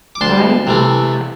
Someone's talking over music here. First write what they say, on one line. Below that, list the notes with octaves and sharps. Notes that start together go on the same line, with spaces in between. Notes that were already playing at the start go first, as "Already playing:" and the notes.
Right, yeah,
D6
D2 A5 C6
C3 E3 A3